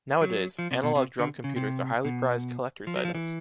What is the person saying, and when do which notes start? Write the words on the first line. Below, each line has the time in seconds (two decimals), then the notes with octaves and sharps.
Nowadays, analog drum computers are highly prized collector’s items.
0.22 F#3
0.59 F3
0.71 C3
0.83 B2
0.95 C3
1.19 D3
1.44 C#3
1.56 C3
2.05 B2
2.87 F3
2.96 F#3
3.05 F3
3.15 E3